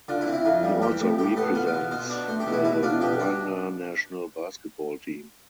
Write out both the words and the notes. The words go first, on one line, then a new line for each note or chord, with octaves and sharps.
He also represents the Rwanda national basketball team.
D3 F4
E4
C4
E4
F2 F4
G3
E3 G4
A2
A2 G4
B3 A4
B3 F4
F4
B2
B2 C5
D4
A3 C5
G4
B2
E4
B2 E4
D4 F4
B2 G4
D4